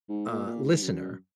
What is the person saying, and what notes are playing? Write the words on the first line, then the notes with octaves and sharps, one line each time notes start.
uh, listener?"
G#2
A#2
A#2
G#2
F#2